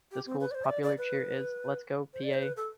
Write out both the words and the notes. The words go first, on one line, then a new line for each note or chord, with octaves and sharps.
The school's popular cheer is, Let's go, Peay!
G4
C4
B4
D5
C5
E5
D5
D5
B4
C5
D5
C5
B4
A4